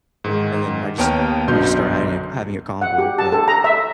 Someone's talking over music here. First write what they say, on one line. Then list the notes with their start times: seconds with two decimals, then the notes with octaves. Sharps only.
and then I just we just started hiding a having a convo, but,
0.24 G#2 D#3
0.98 D#2 B3 C#5 G5 A#5 F6
1.47 B1 F#2 B2 D3 C6 G6
2.81 F#5
2.98 G4
3.18 A5
3.32 A4
3.48 A#5
3.64 E5